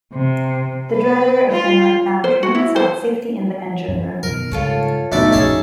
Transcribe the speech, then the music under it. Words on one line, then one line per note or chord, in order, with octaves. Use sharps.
The driver of the northbound train sought safety in the engine room.
C3
B4
F4
C5
F#4
E4
C5
F#2
B2 D#3 A#4
G#2 C#3 G3 F4 A4 C#5
B1 A2 D#3 A3 D#4 D5 E5
A#1 F#2 E3 C#4 G#4 A5